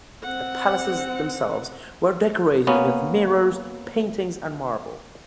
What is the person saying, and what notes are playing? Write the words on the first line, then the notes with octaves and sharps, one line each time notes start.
The palaces themselves were decorated with mirrors, paintings and marble.
C4 F#5
A#3 B3 C#4